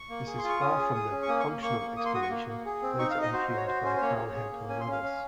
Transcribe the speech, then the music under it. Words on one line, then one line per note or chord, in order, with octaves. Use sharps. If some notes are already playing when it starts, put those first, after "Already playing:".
This is far from the 'functional explanation' later impugned by Carl Hempel and others.
Already playing: C#6
A#3
G#4
C6
F4
C#6
C#4 D#6
G#4
G#4
C#4
C#6
A#3 D#6
C#6
A#3
A#3 C#6
A#3
A#3 D#6
C6
F#4 D#6
C#6
A#3
A#3
G#4
C4
D#4 C#6
F5
D#4
D#5
F#4 C5
F#4
C#5
F#4 C5
C#4 C5
C5
A#3 C#5
G#4
G#4
A#3
C#4 G#5
C6
C#4
F5
C#4